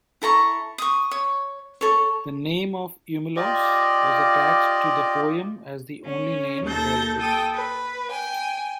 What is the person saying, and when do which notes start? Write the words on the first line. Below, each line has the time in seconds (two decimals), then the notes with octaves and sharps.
The name of Eumelos was attached to the poem as the only name available.
0.22 E4 A4 A#5 C#6
0.78 C#6 D#6
1.11 C#5
1.81 A4 C#5
3.36 F4 G4 D5 D#5
6.05 C#4
6.64 D#2 A4 G6 A6 A#6
7.18 A4 G5 D#6 G6
7.53 B4
8.11 G5 G#5